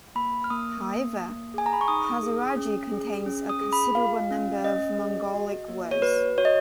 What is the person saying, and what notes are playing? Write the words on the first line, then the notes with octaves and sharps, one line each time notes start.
However, Hazaragi contains a considerable number of Mongolic words.
A#3 B5
F6
A#3 D#6
A#3
A#3
G#4 G#5
A#5
B5
C#6
D#4 D#6
G#4
C#4
G#4
C#4
D#6
G#4
B5
F4 F5
C#4
C#4 D#5
G#4
F#4
A#3
C#5
F#4 B4
F#4 C#5
D#5